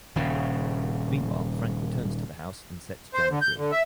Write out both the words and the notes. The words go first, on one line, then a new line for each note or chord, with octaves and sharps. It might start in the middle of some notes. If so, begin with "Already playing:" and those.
Meanwhile Frank returns to the house and sets Jan free.
D#1 C#3
C5
D3
G6
D3
E5